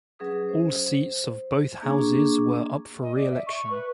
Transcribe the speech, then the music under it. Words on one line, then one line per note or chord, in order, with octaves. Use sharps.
All seats of both houses were up for re-election.
F#3 C#4 G#4 B4 D#6
C5
A#3 D4 G#4 C#6 D6
D#5
D5
E5
C#6
B4